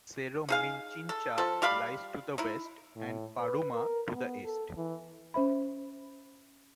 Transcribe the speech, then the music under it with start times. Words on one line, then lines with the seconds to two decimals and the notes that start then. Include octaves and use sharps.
Cerro Minchincha lies to the west and Paruma to the east.
0.49 D#4 G#4 F5
1.09 A4
1.38 F3 A4
1.62 G3 G4 F5 B5
2.38 D#4 E4
2.96 A2
3.40 B4
3.72 A#4
4.14 B3
4.45 A4
4.77 E3
5.34 C#4 C5 E5 B5